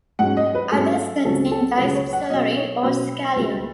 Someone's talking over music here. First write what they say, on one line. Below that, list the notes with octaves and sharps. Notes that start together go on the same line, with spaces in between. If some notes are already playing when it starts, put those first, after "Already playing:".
Others contain diced celery or scallion.
G#2 F#3 C#4 F#5
D#5
B4
G#2 F#3 C#4 A4
C#2 C#3 F#3 C#4 A4
A4
C#2 C#3 F#3 C#4 B4
C#5
F#5
B2 F#3 C#4 D#5
C#5
B2 F#3 C#4 B4
C#2 C#3 F#3